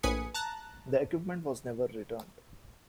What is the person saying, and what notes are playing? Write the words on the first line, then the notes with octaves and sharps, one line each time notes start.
The equipment was never returned.
A#1 A2 B4 G#5 D#6 C#7
A5 A#5 F#6